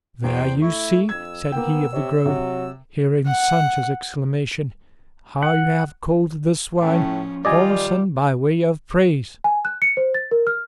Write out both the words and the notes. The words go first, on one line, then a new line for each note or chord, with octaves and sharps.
"There, you see," said he of the Grove, hearing Sancho's exclamation, "how you have called this wine whoreson by way of praise."
E2 C5 G5
A3 E4 C#6
F2 E6 G#6
A#3 B3 G5
C3 C#5
C3 F#3
F#5
F#5
A2 F3 C#4
D#3 G3 F4 D5 D#5 G#5
G#5
F#6
C#7
C5
A6
A#4
F6